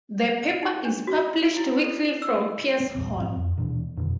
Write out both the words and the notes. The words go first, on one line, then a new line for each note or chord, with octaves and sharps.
The paper is published weekly from Peirce Hall.
D#4
D4
F#4
E4
A4
E6
C4
A#1 E2 G2
G#2 C4
F2
D#1 B2 E3 D4
F2 B2 D3 D#3